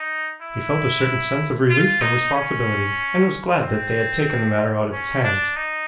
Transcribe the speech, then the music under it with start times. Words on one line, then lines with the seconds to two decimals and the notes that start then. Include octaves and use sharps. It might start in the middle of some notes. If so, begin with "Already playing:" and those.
He felt a certain sense of relief from responsibility and was glad that they had taken the matter out of his hands.
Already playing: D#4
0.41 E4
1.70 F4
2.01 D#4
2.34 C#4
3.62 C4
4.92 C#4
5.24 D4
5.56 D#4